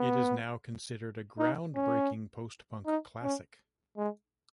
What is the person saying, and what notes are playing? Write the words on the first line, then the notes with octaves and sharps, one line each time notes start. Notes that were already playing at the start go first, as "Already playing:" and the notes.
It is now considered a groundbreaking post-punk classic.
Already playing: B3
D#4
C#4
D#4
C#4
G#3